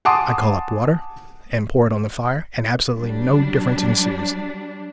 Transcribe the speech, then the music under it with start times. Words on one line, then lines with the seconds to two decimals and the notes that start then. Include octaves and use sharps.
I call up water, and pour it on the fire, and absolutely no difference ensues.
0.05 F#5 G#5 A5 C6 D6 D#6
2.96 F#3 G3 D4